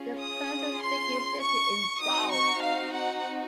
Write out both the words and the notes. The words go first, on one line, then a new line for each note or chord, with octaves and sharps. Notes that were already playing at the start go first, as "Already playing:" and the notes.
The person speaking is listed in bold.
Already playing: C#4 F4 G#4
D#6
C6
C#6
C4 D#4 F#4 D#6
C#6
F5
F#5